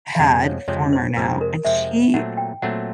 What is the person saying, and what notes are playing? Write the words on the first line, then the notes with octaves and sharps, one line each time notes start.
had, former now- and she,
F5
F2 C3 F3 G#3 C4 F#5
C#5
F2 C3 F3 G#3 C4 C#5
C5
F2 C3 F3 G#3 C4 B4
A#4
F2 C3 F3 G#3 C4 E5
A#2 F#3 A3 C4 F#5
G5
A#2 F#3 A3 C4 F#5